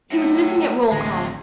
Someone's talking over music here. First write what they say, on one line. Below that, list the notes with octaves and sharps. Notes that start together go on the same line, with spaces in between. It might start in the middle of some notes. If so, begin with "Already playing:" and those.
He was missing at roll-call.
A2 F#3
A1 D2 C3 G#3